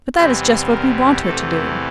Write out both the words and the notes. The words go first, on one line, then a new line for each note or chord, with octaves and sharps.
But that is just what we want her to do.
E2 C3 E3 G3 C4
A#4
E2 C3 E3 A3 A4